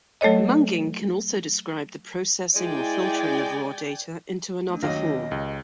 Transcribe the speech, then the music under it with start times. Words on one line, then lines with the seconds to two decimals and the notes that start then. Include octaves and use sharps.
Munging can also describe the processing or filtering of raw data into another form.
0.21 F#3 A3 A4 C#5 D#5
2.56 G#3 E4 D5 G5 G#5
4.69 A3 D4
4.83 D#2 F#3 C#4 G4 C#5 D#5 F5 A#6
5.31 C#2